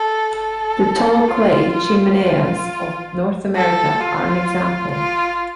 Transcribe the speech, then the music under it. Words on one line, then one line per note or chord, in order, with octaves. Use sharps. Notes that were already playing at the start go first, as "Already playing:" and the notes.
The tall clay "Chimeneas" of North America are an example.
Already playing: A4
A4
F4
F4
F4
A4
F4
F4